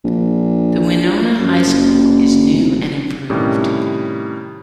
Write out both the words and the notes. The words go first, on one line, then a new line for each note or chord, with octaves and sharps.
The Winona high school is new and improved.
A#1
F#2
F#1
F1
A2 C3 D#3 G3 C#4 G4